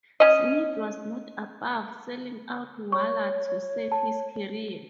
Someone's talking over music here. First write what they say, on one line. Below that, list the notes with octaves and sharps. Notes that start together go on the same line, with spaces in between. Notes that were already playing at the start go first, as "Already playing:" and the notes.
Smith was not above selling out Waller to save his career.
C#4 D#5
C#5 C#6
A5